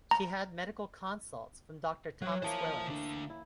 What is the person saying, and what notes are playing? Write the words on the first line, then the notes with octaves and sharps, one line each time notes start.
She had medical consults from Doctor Thomas Willis.
A#5
F#3 C#5 F#5 G5
E3 A#3 C5 A5
D2 D4
E4